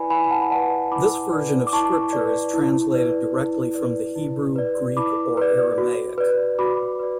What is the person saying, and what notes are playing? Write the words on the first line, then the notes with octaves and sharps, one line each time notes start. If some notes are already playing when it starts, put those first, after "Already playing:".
This version of scripture is translated directly from the Hebrew, Greek or Aramaic.
Already playing: E4 B4 D5 G#5 B5
E4 G#5 B5
B5
F#5 A5
B5
B4 D5 F#5 A5
E4 B5 D6
B4 D5
D6
E4 A5 C#6
B4 D5
E4
B4 D5
E4
B4 D5
E4
B4 D5
E4 B5 D6
B4 D5
F#4
B4 D5
F#4 B5 D6
B4 D5